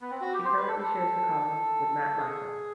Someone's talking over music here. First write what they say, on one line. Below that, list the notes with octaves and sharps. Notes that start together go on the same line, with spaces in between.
She currently shares the column with Matt Michael.
B3
C4
F#4
G4
C5
B4
A4
A4
G#4